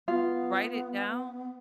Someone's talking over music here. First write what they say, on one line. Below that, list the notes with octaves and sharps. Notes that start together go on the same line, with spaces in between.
write it down,
B3 F4